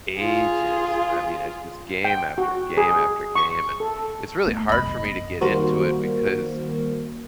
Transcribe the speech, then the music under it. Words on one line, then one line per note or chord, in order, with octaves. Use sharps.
ages. And, I mean, it's just game after game after game. And, it's really hard for me to get into it because,
F4 G#4
G5
F#4
G#4
C#6
A4
A3 B3
F1 F#2 D#5 B5
D#5
D#3 G3 A#3 F#4 A#4 C5